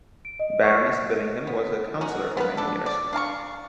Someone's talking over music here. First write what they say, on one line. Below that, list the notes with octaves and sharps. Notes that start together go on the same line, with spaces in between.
Baroness Billingham was a councillor for many years.
D7
D#5
C#6
B3
C#4 D#4 F#4
B3 F4 A4 B4
D4 A4
D5
D4 F5 A5 C#6